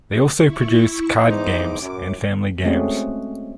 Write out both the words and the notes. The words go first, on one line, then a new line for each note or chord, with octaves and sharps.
They also produce card games and family games.
E4 C#6
E2 D#4 C5 D6
F#2
G#3 A3 C4 C#4 F#4 G#4